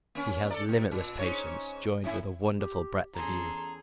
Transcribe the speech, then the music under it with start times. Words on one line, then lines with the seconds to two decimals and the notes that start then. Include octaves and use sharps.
He has limitless patience, joined with a wonderful breadth of view.
0.15 A#3 C#4
0.50 A4 A#4 D5
0.69 B2
0.91 A#2
1.19 G#2 C#4 C#5
2.04 A2 C#4 E4
2.58 G4
3.15 E2 C#4 G#4 A4 A#5 C6